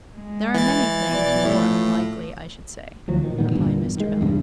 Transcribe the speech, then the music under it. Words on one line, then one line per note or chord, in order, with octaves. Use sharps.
'There are many things more unlikely, I should say,' replied Mr. Bell.
G#3
E3 A6
B2 D5
A2 F3 A3
D2 F3 F#3
A#1 D#3
A#2 D#3 G3 B3
G1 E2 G2 A#2
D#3 G#3
E2 G2 C#3